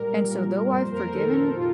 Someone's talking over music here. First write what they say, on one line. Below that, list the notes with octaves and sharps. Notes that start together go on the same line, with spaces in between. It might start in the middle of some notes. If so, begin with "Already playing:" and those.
and so though I've forgiven,
Already playing: A#2 G3 A#4
A#2
F2 C5
C5
A#4
D#3 A4
A4
C3 F4